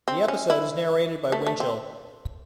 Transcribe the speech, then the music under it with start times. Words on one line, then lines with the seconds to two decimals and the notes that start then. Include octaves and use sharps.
The episode is narrated by Winchell.
0.08 C4
0.28 C#4
0.50 E4
1.32 A3
1.46 A3
1.60 C4